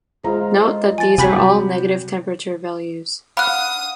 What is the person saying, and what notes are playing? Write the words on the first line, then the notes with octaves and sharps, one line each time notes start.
Note that these are all negative temperature values.
G#3 F4 C5 A#5
F3 G#5 A6
C3 F#3 G3 F#4 G4 G#5 B5 B6
F5 F#5 B5 D#6 F#6